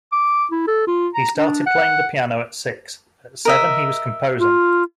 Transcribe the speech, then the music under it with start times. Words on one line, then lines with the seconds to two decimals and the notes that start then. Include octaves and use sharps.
He started playing the piano at six; at seven he was composing.
0.12 D6
0.51 E4
0.68 A4
0.87 F4
1.15 A#5
1.37 D4
1.66 F#5
3.45 A#4 D#5 E5
4.39 F4